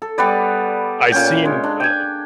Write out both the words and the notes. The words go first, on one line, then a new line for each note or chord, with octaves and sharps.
I seen a
A4
G3 B3 B4 D5
A#2 C#4 G5
G#3
D4
G5 G#5